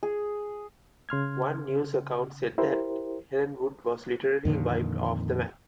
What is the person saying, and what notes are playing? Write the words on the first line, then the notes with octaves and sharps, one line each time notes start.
One news account said that Helenwood was literally wiped off the map.
G#4
C#3 C6 F6 G#6
E4 G4 A#4 C5
F2 A#2 D3 D#3